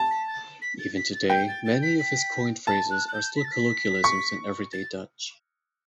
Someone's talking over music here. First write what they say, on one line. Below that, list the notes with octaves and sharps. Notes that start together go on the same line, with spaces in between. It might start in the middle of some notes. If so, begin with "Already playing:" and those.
Even today many of his coined phrases are still colloquialisms in everyday Dutch.
Already playing: A5
B6
A6
B6
A6
B6
A6
G5 G6
A6
A6
B6
B6
A5 A6
F#6
F#6
G6
B6
A6
B6
C#6
A6